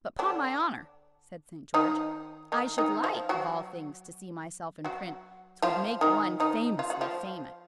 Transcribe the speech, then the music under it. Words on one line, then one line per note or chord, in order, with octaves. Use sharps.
"But, 'pon my honour," said St. George, "I should like of all things to see myself in print; 'twould make one famously famous."
D3 D4
D#3 D#4
D#3 D#4
D#3 D#4
F3 F4
F#3 F#4
F#3 F#4
F3 F4
D#3 D#4
D#3 D#4
F4
F#4
F3 F4